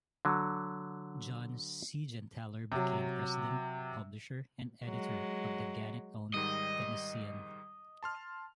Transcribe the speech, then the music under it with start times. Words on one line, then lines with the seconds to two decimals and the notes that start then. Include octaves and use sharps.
John Seigenthaler became president, publisher, and editor of the Gannett-owned "Tennessean".
0.25 D3 F#3
2.72 C3 F#3
4.85 F#3 G#3
6.34 G#2 D#3 G3 D#5
8.03 A5 C6 F6